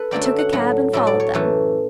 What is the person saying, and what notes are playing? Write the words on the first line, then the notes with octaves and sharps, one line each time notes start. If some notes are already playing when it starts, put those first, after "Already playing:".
I took a cab and followed them.
Already playing: A4 B4
F#2 D3 F#3 A3 D5
E5
F#5
A2 F#3 A3 F#5
A2 F#3 A3 E5
D5
C#5
F#2 E3 A3